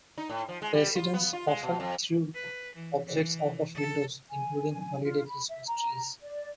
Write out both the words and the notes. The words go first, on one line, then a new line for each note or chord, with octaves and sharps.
Residents often threw objects out of windows including holiday Christmas trees.
D#4
A2
F3
G#3
G3
F4
B3
F4
G#3
B2
F2
B4
E3
E3
A4
G#5
F4
B5
E5
A#5
D5